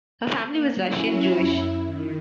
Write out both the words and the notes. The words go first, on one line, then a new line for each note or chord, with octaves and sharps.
Her family was Russian Jewish.
A#3
F#3 C#4 E4
F#2 E4
D#3